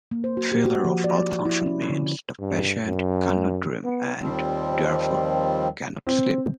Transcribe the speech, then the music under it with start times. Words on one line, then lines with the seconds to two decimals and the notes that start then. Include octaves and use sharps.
Failure of alpha-function means the patient cannot dream and therefore cannot sleep.
0.11 A#3
0.24 C5
0.37 F#4
0.52 G4
0.65 F#4
0.85 F3
1.04 D5
1.45 E4
1.66 C#4
1.90 D3
2.40 G2
2.85 F#2
3.84 B3
4.21 D#2 D#3 F3 G3 C4
6.07 C4